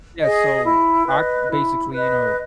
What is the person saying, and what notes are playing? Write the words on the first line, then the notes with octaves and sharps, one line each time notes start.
Yeah, so I basically, you know
G#4 D#5
E4
B4 D#5
E4
B4 D#5